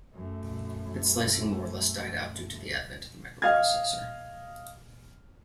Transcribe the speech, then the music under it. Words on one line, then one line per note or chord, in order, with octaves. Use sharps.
Bit slicing more or less died out due to the advent of the microprocessor.
F#2 A3
D#5 F5 D#6 F6 G#6